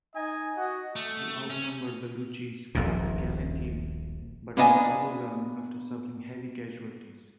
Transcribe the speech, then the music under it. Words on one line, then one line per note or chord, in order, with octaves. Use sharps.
The out-numbered Baluchis fought gallantly but were overwhelmed after suffering heavy casualties.
D#4 D#5 G#5
F#4 D#5 F#5
A3
C#4
D#1 A#1 F2 A#2
A#3 B3 D4 D#5 G#5